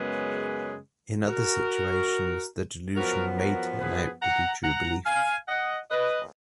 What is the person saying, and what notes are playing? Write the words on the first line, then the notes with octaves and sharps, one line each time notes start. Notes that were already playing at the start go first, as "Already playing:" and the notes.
In other situations the delusion may turn out to be true belief.
Already playing: F#2 C#3 G#3 B3 G#4 B4
F#4 A#4
F#2 F3 B3 F#4 A#4
F#4 A#4
G#4 B4
F#5 A#5
F#5 A#5
F5 G#5
D#5 F#5
B4 D#5